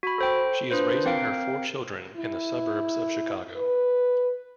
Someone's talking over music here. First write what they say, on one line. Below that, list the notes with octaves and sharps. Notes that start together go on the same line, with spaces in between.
She is raising her four children in the suburbs of Chicago.
F#4 B5
A4 C5 G5
D4 F4 B4 C5
C4 A#4 F5 G5
E4
B4